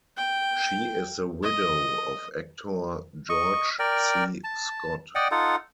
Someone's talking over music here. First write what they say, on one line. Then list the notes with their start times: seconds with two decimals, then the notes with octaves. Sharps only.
She is the widow of actor George C. Scott.
0.17 G5
1.43 D#5
3.29 D#5 C#6
3.79 A#4 D5 G5
4.44 A5
5.15 D5 D#5 F#5 G5
5.31 D#4 F4 A4 F#5